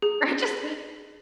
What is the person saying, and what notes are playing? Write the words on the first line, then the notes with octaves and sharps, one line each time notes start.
I just
G#4